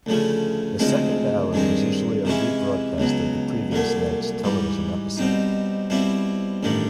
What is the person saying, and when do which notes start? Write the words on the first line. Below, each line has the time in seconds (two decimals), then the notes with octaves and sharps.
The second hour was usually a rebroadcast of the previous night's television episode.
0.06 D2 C#3 F3 A3
0.79 D2 C#3 F3 G#3 C4
1.53 G2 D#3 G#3 C4
2.25 C3 E3 G#3 C#4 E4
2.98 C#2 B2 F#3
3.72 C2 A#2 F#3 A3
4.44 G#2 E3 G3
5.17 B2 G3 C4 D#4
5.90 B2 G3 C4 E4
6.63 A1 G2 D#3 G3